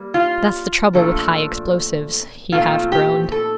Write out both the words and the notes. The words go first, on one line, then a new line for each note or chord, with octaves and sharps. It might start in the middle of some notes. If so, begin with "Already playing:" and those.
'That's the trouble with high explosives,' he half groaned.
Already playing: G3 A#3
F4
A#2 F3 A3 D4
A#2 F3 A3 C4 D#4 F4
G4
A4